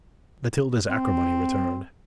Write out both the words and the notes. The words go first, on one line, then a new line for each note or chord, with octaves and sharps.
Matilda's acrimony returned.
C4